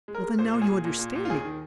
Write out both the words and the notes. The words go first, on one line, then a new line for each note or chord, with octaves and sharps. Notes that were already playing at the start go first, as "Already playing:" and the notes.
Well then, now you understand me.
G#3
A#4
G#3
A#2 C5
A#2
G#4
A#2
A#2
A#2
A#2
F4
D#2 G#4
D#3